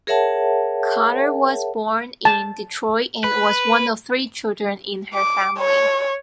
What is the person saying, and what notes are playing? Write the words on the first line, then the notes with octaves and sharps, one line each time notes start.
Carter was born in Detroit and was one of three children in her family.
G#4 A#4 C#5 E5 F#5 A5
A5
B4
D6
C#5